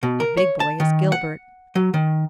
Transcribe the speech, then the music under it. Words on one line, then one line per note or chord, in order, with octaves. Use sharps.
The big boy is Gilbert.
B2
A#4
C#5
A5
D#3
F#5
F#3
D#3